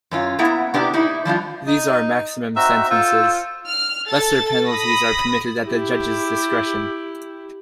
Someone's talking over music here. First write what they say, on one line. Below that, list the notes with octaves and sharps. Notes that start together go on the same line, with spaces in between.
These are maximum sentences; lesser penalties are permitted at the judge's discretion.
F#2 C#4 F4
A#3 B3 E4 E5 F#5 A#5
C3 B3 D4 G4 A#5
A#3 D#4 E4
F3 G3 D4 F4
D#4
C4 D#4 F#4 E5
F4 A4 C5 E6
F6
A4 A6
B5 D#6 A#6
E4 G4